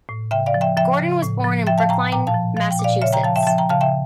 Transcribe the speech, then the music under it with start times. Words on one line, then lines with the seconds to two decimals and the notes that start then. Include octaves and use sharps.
Gordon was born in Brookline, Massachusetts.
0.09 A2
0.31 C#3 E5 G5
0.46 D5 F5
0.54 F3
0.61 E5 G5
0.77 F3 E5 G5
0.99 C#3
1.22 A2
1.44 F3
1.67 F3 E5 G5
1.78 F5 A5
1.89 A2 G5 A#5
2.12 A#2 G5 A#5
2.27 F5 A5
2.34 F3
2.56 F3 F5
2.71 G5
2.79 A#2 D5 F5
3.02 C#3 C#5 E5
3.13 G5 A#5
3.24 F3 F5 A5
3.36 E5 G5
3.43 A5
3.47 F3 E5 G5
3.58 G5 A#5
3.69 C#3 F5 A5
3.81 E5 G5